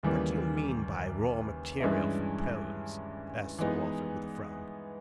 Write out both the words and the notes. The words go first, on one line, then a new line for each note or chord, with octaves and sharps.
"What do you mean by raw material for poems?" asked Sir Walter, with a frown.
D#2 C#3 E3 G3 A#3
G2 E3 G#3 C#4 E4
E3 G#3 B3 D#4